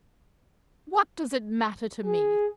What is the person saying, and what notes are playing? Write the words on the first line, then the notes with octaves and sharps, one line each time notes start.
"What does it matter to me?"
G#4